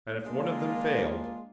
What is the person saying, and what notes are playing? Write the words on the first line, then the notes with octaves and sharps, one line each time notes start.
And if one of them failed...?
G#3 A#3 D4 F4